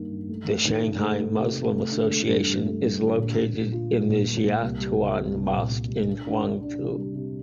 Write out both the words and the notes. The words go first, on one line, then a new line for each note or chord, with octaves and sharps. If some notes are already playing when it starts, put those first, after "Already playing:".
The Shanghai Muslim Association is located in the Xiaotaoyuan Mosque in Huangpu.
Already playing: G2 D#3 G3 A#3
G2
A3
A3
D#3
C3
A3
A3
C3
C3
A3
D3
A3
G2
G2
A3
G2
D3
A#2
A#2
A#2
F4
G3
A#2
A#3
A#3
C2
G3
C2
C2
C2
A#2
A#2
G3
D4
D4
D4
D4
C3
G3
C3